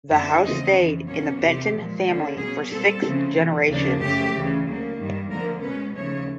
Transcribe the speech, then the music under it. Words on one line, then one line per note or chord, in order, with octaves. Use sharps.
The house stayed in the Benton family for six generations.
F#2 D3 F#3 B3 D4 E5
E2 C#3 F3 A3 C4 D#5
F2 C#3 E3
B2 F#3 A#3 C#4 C#5
E2 C3 D#3 G4
A#2 F3 G#3
F#2 D3 F#3 A#3 C#4
B2 F#3 A#3 C#4 G#4
A#2 G3 C4 A4
C#3 F3 A3 C4
E2 C3 E3
D#2 C#3 F3 A#3 D4
F#2 C#3 F3 A3 G4
D2 C#3 E3
D2 C#3 F#3 A#3
G2 D#3 G3
D2 D3 F3 A#3 A#4
B2 G#3 C#4 B4
D#2 C#3 F3 A3 C#5